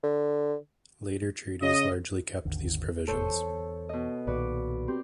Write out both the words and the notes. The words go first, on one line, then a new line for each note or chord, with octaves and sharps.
Later treaties largely kept these provisions.
D3
C#3 D#5
G#1 D#2 D3
F1 A2 A4 C5 C#5
E2
B2 D#5
B1 A#2 D#3 F#4 B4 D5
C4 G4 C6